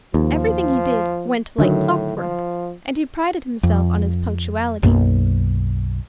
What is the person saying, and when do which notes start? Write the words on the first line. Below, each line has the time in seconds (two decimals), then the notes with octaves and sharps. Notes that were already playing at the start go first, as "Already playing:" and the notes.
Everything he did "went like clockwork," and he prided himself on his punctuality.
0.14 D#2 F3
1.58 A2 D3 D#3 F#3
2.18 F3
3.63 F2
4.83 B1 F#2 A#3